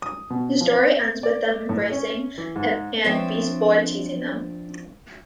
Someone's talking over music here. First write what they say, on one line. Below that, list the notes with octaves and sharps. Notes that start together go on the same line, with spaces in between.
The story ends with them embracing, and Beast Boy teasing them.
D#6
B2
F3
C4
D5
A2
C#4
E3
G#2
F3 C4 D4 B4 C#5 E5